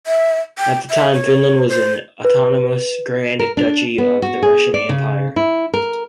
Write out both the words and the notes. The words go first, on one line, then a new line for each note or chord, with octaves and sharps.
At the time, Finland was an autonomous grand duchy of the Russian Empire.
E5
G5
E5
C#5
C5
B4
A#4
D4
B3
F#4
G#4
D5
C#3
E4
A#4